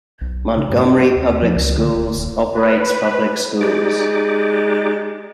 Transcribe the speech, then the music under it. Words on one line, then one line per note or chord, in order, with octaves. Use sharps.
Montgomery Public Schools operates public schools.
B1
C#3
G2
D4
B3
D#2
F3
C#2
D3
D1
D1
B4
G#3 D#4 G4 D5